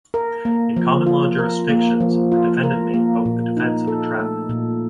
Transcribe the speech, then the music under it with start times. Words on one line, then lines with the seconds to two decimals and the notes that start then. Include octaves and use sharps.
In common law jurisdictions, the defendant may invoke the defense of entrapment.
0.14 A#4
0.45 A#3
0.76 F3
1.07 F4
1.38 A#4
1.69 A#3
2.00 F3
2.32 F4
2.63 A#4
2.94 A#3
3.25 A#2
3.57 D#4
3.88 A4
4.19 A3
4.49 A#2